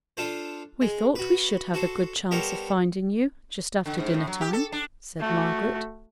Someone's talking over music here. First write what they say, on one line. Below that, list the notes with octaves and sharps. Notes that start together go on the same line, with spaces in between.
'We thought we should have a good chance of finding you, just after dinner-time,' said Margaret.
D4 F4 A4 C5
G#3
F#4 B4
F#4 A4 C5
G3 B3 A4 A#4 C5 C#5
D3
G#2
A2
F#3
G4
A4
D4
A3 F#4